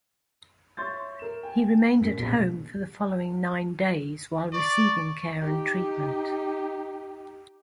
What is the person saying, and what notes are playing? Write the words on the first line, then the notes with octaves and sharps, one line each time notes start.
He remained at home for the following nine days while receiving care and treatment.
C#5 E5 C6 C#6 G6 A6
A#4 E7
G5 G#5
F#2 A#3 B6
A#1 B2
D5 C#6
D#4 G4